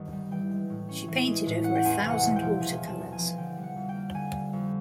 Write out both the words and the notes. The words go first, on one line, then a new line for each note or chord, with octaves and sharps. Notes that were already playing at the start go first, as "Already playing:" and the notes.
She painted over a thousand watercolors.
Already playing: G1 G2 D#3
G3
E3 G5
G#3
A2
C#4
E3
G#3
A2
C#4 F#5
G5
E2 G#5
C3
F#5
E1
G5
F3
E2 G#5
C3
A5
E1
G#5
F3
D3 G5
G3
F#5
F2
G5
A#3
D3 G#5
G3
F2